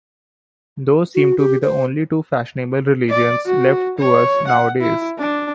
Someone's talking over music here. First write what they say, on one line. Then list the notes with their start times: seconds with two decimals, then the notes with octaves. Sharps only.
Those seem to be the only two fashionable religions left to us nowadays.
1.15 F#4
1.38 G4
1.62 C5
3.09 D5
3.46 F#4
3.98 C#5
4.48 F#5
4.81 E4
5.19 D4